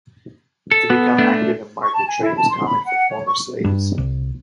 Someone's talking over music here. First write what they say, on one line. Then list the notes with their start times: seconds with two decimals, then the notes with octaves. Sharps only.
To become active in market trade was common for former slaves.
0.71 A4
0.90 B3
1.18 A3 D4
1.82 C#6
1.94 A5
2.07 G#5
2.21 E4
2.37 A5
2.50 C6
2.65 B5
2.85 F#5
3.09 C#5
3.26 C#6
3.64 G2
3.98 C2